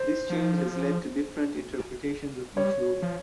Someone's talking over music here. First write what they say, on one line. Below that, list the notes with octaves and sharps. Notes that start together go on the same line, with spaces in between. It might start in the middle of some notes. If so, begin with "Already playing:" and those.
This change has led to different interpretations of each role.
Already playing: C5
F3
G3 C#5
F3